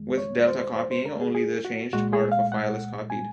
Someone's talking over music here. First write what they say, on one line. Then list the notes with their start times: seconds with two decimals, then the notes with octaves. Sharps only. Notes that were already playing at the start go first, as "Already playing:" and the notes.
With delta copying, only the changed part of a file is copied.
Already playing: F2 D#3 G#3
0.18 C#5
0.47 C5
0.76 C5
0.91 C5
1.06 A#4
1.21 G#4
1.35 G#4
1.65 F#4
1.93 C2 A#2 G#3 F#4
2.13 G#4
2.32 F5
2.52 F#5
3.10 G#5